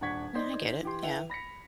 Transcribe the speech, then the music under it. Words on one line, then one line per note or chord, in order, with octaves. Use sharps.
Yeah, I get it. Yeah.
D#1 D4 F#5 C#6 G#6 B6
D#4 C5 D5
E3 G4 C6
E4 B4 G5 F7
B5 A#6 B6 C#7